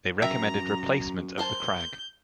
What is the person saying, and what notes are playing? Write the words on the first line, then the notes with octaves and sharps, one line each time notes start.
They recommended replacement of the Krag.
F#2 A#4 E5 G5 A#5
A#4 C5 A5 G6